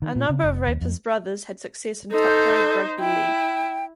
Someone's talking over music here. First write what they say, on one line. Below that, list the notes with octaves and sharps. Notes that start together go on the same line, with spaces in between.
A number of Raper's brothers had success in top-grade rugby league.
D#3
A#2
C#3
F1
D#2
F2
D#4 A4 C5
E4 G5